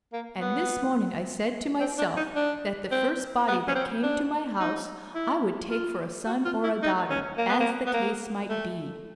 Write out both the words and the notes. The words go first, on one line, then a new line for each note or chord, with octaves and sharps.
And this morning I said to myself that the first body that came to my house I would take for a son--or a daughter, as the case might be.
A#3
B3
C4
D4
D#4
D4
C4
B3
C#4
C4
D4
D#4
E4
F4
F#4
F4
E4
D#4
C#4
A#3
B3
A#3
B3
A#3
A3